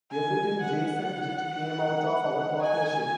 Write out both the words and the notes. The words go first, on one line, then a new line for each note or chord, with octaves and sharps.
Everything Jason did came out of our partnership.
G#5
F#5
G#5